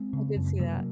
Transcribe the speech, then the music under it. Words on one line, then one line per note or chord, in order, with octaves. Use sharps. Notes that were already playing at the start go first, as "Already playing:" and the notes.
I did see that.
Already playing: G#3 C4
C#3
F#2
C3 F#3 A#3